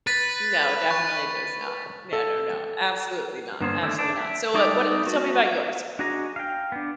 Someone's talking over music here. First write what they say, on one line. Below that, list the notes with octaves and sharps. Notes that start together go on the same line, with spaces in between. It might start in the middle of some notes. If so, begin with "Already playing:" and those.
No, definitely does not. Yeah, no, no, absolutely not, absolutely not. So, what what you tell me about yours
B4 A6 B6
C#6
A4
G2 D3 A#3 B3 C#4 C5
D3 D#3 A3 C#4 E4
D4
E5
G3 G#3 D#4 G4 A4 D5
A3 B3 F#4
D4 F#4 G#4 D#5 A#5
F5 G5
B3 D4